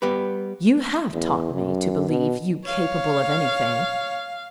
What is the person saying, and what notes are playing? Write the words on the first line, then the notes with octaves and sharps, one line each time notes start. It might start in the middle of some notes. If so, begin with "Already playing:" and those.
"You have taught me to believe you capable of anything."
G3 B3 G4 B4
E2
F#2
B2
C#5 F5